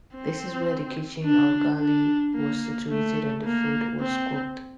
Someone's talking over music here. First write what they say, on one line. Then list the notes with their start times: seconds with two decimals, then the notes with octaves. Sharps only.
This is where the kitchen, or galley, was situated and the food was cooked.
0.15 C4
1.24 D4
1.80 D4
2.35 A#3
2.90 A3
3.45 A#3
4.00 C4